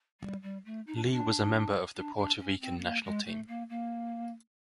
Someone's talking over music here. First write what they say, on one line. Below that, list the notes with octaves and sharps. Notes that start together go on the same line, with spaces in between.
Lee was a member of the Puerto Rican national team.
G3
G3
A3
D#4
D4
C#4
D4
D4
D4
C#4
C4
B3
A#3
G#3
A3
A#3
A#3